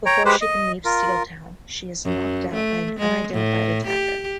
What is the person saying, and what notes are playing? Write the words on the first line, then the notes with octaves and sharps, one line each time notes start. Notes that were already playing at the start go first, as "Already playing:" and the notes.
Before she can leave Steeltown, she is knocked out by an unidentified attacker.
C#5 G5 A#5
G#3 G4 B4 C5
D#5
F4 A#4
F#2
A3
G#3
A2
G4